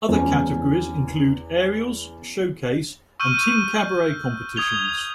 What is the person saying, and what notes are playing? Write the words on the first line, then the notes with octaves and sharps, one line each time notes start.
Other categories include Aerials, Showcase, and Team Cabaret competitions.
E2 C#4
C#6 E6 F6 G6 D#7
D#6 G#6 F7 G7